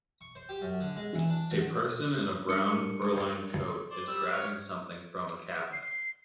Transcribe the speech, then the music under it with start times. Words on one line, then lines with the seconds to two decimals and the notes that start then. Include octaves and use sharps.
A person in a brown, furlined coat is grabbing something from a cabinet.
0.21 C#6
0.35 C5
0.49 G4
0.61 F#2
0.81 D3
0.96 G#3
1.14 E3
1.29 D4
1.51 E2
2.48 G3 D4 A#4 C#7
3.91 C5 D5
4.08 G3 E6
4.32 C#5 F6
5.73 C7